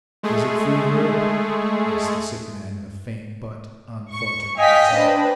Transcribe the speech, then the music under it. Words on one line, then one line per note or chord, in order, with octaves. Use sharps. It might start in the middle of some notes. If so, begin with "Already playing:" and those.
"Is it fever?" asked the sick man, in a faint but unfaltering accent.
G#3 A3 G#4
C#6
D#5 F5 G5 G#5 B6
D4 B4 C5